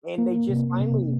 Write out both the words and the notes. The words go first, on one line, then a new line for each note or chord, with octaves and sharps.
And they just finally
A#3
C3
C3